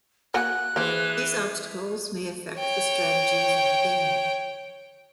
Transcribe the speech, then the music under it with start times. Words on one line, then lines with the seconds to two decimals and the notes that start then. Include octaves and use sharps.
These obstacles may affect the strategies of the game.
0.34 A#3 F#4 G#5 F#6
0.76 E3 A#3 G#4 C5
2.58 C#5 G5